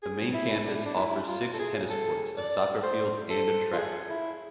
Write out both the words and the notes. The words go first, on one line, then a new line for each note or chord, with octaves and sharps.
The main campus offers six tennis courts, a soccer field and a track.
G#4
E4
D4
E4
D4
E4
F4
A4
G#4
A4
D5
C5
A4
F4
G#4
E4